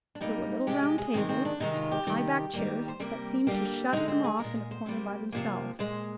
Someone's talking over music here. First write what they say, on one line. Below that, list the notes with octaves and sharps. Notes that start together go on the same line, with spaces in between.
There were little round tables with high-backed chairs that seemed to shut them off in a corner by themselves.
D4
C3 G3 A#3 D#4
C3 F3 G#3 G4
G4
G#4
C3 D#3 G#3 C4
C4
D4
C3 D#3 G#3 D#4
F4
G4
C3 D#3 G3
D#3 G3 A#3
C5
C3 G3 A#3 A#4
D3 G3 A#3 G4
D3 G#3 D#4
C4
G#4
A#2 G#3 A#4
G#4
C5
C3 G3 A#3
C3 F3 A#3
A#2 G#3 C5